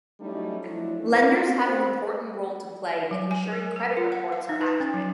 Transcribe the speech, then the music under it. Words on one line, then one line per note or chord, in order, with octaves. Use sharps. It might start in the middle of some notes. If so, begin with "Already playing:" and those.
Lenders have an important role to play in ensuring credit reports are accurate.
F#3 G3 A3 C#4 D#4 E4
F3 F#3 A3 D4 E4
E2 A3 C#4 E4 A4
C4 D4
C4
F#3
G#5
A#4
A#4
F4
F#5
F5
D#4
B4
C#4
F#3